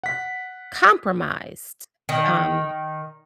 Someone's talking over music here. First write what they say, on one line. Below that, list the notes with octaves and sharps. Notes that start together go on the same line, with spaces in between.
compromised, um,
F#5 B6
D#3